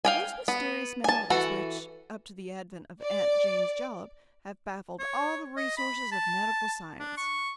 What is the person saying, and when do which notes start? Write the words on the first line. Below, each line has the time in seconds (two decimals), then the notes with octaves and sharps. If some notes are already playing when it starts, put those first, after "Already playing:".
Those mysterious maladies which, up to the advent of 'Aunt Jane's Jalap,' have baffled all the resources of medical science.
0.05 F5 G5 G#5
0.48 B3
1.04 G#5 A5
1.30 E3 F#4 A4
3.02 D5
4.99 C#5
5.57 D#5
5.77 B5
6.12 A5
6.99 D4
7.17 C#6